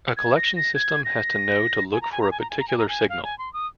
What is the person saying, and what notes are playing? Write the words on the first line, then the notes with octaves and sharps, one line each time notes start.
A collection system has to know to look for a particular signal.
G#6
A#6
A#6
G#6
A#6
G#5
A#5
G#5
A#5
G#5
A#5
G#5
A#5
G#5
A#5
G#5
F5
G#5
C6
D#6